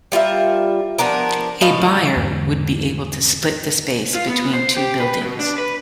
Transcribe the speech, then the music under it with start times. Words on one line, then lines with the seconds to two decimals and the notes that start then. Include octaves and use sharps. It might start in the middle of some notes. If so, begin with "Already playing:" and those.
A buyer would be able to split the space between two buildings.
0.12 G3 F4 A#4 E5
0.98 F3 B3 D4 A#4
1.61 A2 D#4 F5
2.16 E2 G#2 D3
4.15 F4
4.29 B3
4.53 C5
4.77 G4
5.00 B4
5.23 B2
5.39 D4
5.58 B4